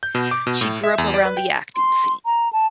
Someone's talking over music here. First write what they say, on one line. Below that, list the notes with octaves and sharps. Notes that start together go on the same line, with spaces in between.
She grew up around the acting scene.
G6
B2
D6
B2
A2
E5
E2
D5
B4
G5
C6
A#5
A5